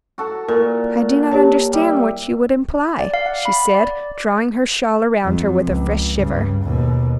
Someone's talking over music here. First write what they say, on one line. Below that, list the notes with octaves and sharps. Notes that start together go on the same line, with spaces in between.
"I do not understand what you would imply," she said, drawing her shawl round her with a fresh shiver.
F#4 A4
A#2 A#4
G4 C#5 A5
G3 E5
D5
F5
F#5
B5
D5
F2
C#2
G2 C#3
D#2 B2